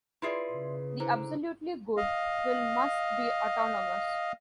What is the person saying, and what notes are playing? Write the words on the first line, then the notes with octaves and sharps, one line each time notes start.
The absolutely good will must be autonomous.
E4 F4 G#4 B4 D5 E5 C6
C#3
D3 E4 C5 A#5
D#5 F5